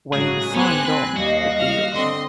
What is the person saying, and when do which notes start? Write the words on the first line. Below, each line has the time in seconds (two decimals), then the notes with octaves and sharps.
Wayne signed on to the deal.
0.13 A2 C#3 F#3 G#3 G#4
0.55 B3 G4 A4 C5 C#5 G#5 F#6
0.86 C4 B4
1.17 D#2 G3 F#4 D#5 F5
1.60 F6
1.94 D3 C4 D#5 C6